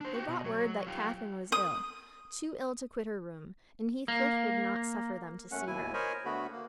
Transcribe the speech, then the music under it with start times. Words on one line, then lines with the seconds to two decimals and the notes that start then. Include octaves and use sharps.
They brought word that Catherine was ill: too ill to quit her room; and Heathcliff would not suffer them to see her.
0.01 D4 C5
0.14 F#4 G4
0.28 B2
0.44 F#3
0.87 F4 G4
1.52 D#6
4.08 A#3
5.52 F#2 A3 C#4 F#5
5.67 D#2 B2 E4 G#5
5.93 A#4 C5 C#5 D#5 G#5 B5
6.25 D2 D3 A3 B3 F#4 B5
6.52 A#3